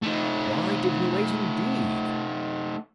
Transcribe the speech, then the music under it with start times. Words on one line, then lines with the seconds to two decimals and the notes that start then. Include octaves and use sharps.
Why did we wait, indeed?
0.02 A3 D#4